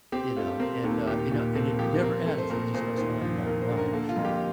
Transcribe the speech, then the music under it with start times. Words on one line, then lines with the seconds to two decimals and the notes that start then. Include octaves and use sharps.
You know, and, uh, you know, and it never ends, it just goes on, and on, and on,
0.12 C4 G4
0.36 A3 F4
0.60 C4 A#4
0.84 D#2 A4
1.07 A#2 G4
1.32 A#2
1.55 C4 A4
1.79 F3 G4
2.02 C4 A#4
2.26 A3
2.38 C5
2.50 A#2 A#4
2.74 A#2 C5
2.97 D#2 C5
3.21 F3
3.46 D#2 A#4
3.62 C5
3.70 D3
3.77 A#4
3.93 A#3 A4
4.09 F4
4.17 F2
4.25 G4